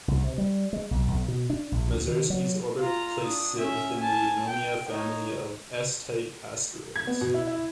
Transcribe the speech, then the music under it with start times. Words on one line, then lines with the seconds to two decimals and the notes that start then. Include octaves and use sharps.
Masursky's orbit places it within the Eunomia family of S-type asteroids.
0.08 C2
0.23 C3
0.38 G3
0.73 G#3
0.91 B1
1.08 B1
1.28 B2
1.50 D4
1.72 A#1
1.90 D2
2.07 D#3
2.30 F#3
2.79 F4 A#5
3.24 D4 D#6
3.57 C#4 E5
3.99 G#5 A5
4.48 G5
4.89 D#4 C#5
6.96 G#6
7.07 B3
7.21 B2
7.34 E4
7.47 E4